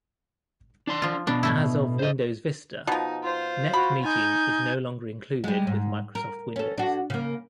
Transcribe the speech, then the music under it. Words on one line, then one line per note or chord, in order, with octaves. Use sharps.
As of Windows Vista, NetMeeting is no longer included with Microsoft Windows.
D4 D5 C6
F3 F4
B2 B3 D4
A2 A3 E4
C5 D#5
B2 F3 D#4
F4 C5
F#4 B5
D#4 G#5 G6
G3 G#3
G#2
A#4
C#4 A4
D4 F#4
C#3 A#3